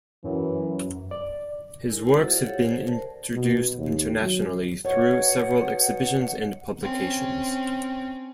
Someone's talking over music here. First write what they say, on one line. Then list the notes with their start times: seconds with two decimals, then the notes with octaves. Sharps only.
His works have been introduced internationally through several exhibitions and publications.
0.24 F#2 E3
1.11 D5
1.89 G#3 E4 A#4
2.15 E4 F#4 A4 C5 D5 F#5
2.28 F4 G#4 E5
2.44 G4 A4 C#5 F5 F#5
2.65 G#4 C5 D5
2.84 A#4 C5 A5
3.33 B2
3.77 D#2
4.20 F#3
4.85 B2 C#5 F#5
6.82 C4 C#4